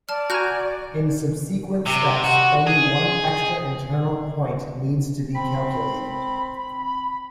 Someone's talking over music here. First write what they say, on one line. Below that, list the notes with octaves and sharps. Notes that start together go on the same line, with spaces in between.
In subsequent steps, only one extra internal point needs to be calculated.
D5 A5 F6
F#4 G#5 A#5 F6 G6
C3
F#4
G#4
C4 B5